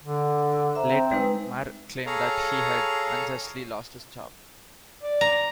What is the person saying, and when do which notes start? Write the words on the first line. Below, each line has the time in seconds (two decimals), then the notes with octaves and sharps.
Later, Marr claimed that he had unjustly lost his job.
0.01 D3
0.75 C5 E5 A#5
0.87 C4
1.11 G#3 D#4 B4
2.06 G#4 A4 C#5 F5 A#5
5.03 D5
5.21 A#5